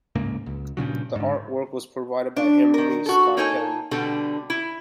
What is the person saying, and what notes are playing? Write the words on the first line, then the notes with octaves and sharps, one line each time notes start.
The art work was provided by Henry Scarpelli.
D1 G#2 C#3 A#3
C#2
G2 A#2 C#3 F#3
G#2 D3
D4
D#3 A#4
F#4 A4
A#3 D#4 A4 C#5 G#5 A5
B2 D3 G3 C4 A4
E4